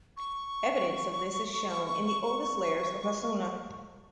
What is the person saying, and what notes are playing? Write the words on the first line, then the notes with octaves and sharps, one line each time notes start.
Evidence of this is shown in the oldest layers of Hassuna.
C#6